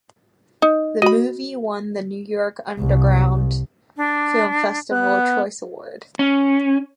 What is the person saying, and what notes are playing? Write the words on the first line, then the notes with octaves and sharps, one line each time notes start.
The movie won the New York Underground Film Festival Choice award.
D#4
F#4 D#5 B5
C2
D4
B3 F#6
C#4